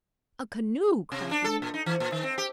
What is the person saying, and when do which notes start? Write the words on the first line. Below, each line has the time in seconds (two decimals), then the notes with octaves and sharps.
"A canoe!" cried he.
1.12 C3
1.31 D4
1.44 A4
1.62 A#2
1.74 D#4
1.86 E3
2.00 A#2
2.12 D#3
2.24 C4
2.38 G4